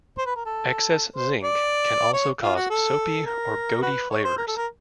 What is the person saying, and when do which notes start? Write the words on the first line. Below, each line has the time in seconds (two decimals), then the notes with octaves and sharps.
Excess zinc can also cause soapy or goaty flavors.
0.18 C5
0.26 B4
0.36 A#4
0.46 A4
1.16 C5
1.43 D5
2.13 C#5
2.42 F4
2.56 F#4
2.70 A4
3.26 A#4
3.82 F#4 B4
4.10 C#5
4.25 C5
4.38 A#4
4.47 A4
4.57 A#4